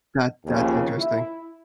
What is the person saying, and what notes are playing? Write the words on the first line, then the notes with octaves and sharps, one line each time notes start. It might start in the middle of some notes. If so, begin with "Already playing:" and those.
That that's interesting.
D#2 C#3 F3
E4